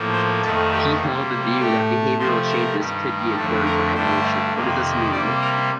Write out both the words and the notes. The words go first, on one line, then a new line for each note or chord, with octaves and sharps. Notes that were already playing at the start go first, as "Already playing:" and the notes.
He held the view that behavioral changes can be important for evolution.
Already playing: A2 F3 A#3
C5
F2 D#3 A3 A4
G4
C3 G3 A#3
A2 A3 G4
C3 F3 A3 C5
A#4
G2 D#3 G3
F2 D3 A3 A4
A#4
G2 D3 A3 C5
F2 C3 D#3 A#3
C3 G3 A#3 D5
A#4